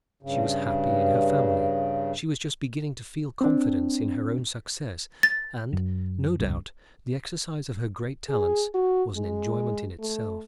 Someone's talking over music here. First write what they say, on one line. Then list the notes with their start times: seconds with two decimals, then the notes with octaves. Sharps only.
She was happy in her family; she was just beginning to feel confidence in her own success; and, no doubt, the exercise of her great talents was an enjoyment in itself.
0.23 G2 C#3
3.41 C4 D4
5.23 A6
5.73 F#2
6.39 G1 C#2 G2
8.29 G#4
8.74 F#4
9.15 G#3
9.99 A3